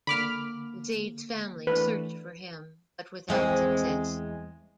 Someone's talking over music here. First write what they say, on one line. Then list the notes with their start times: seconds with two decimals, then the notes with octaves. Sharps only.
Zayd's family searched for him, but without success.
0.07 D3 A#3 B5 D6 F6
1.67 E3 A3 D4 B4
3.28 E2 G#3 C4